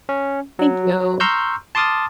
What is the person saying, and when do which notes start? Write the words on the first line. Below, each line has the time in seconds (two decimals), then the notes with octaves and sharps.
Thank you.
0.09 C#4
0.59 F#3
1.20 A#5 C6 C#6 E6 F6 G6
1.75 A5 C6 D6 D#6 F6 A6